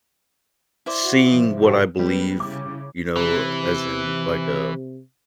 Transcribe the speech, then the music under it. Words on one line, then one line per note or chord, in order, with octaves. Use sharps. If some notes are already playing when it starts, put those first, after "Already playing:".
seeing what I believe, you know, as in, like, uh,
E4 C5 D5 E5
F#4
C3 F3
G#2 F#4 G4 A4
G3 B3 A4 B4
C#3 E4 D6
C3 E3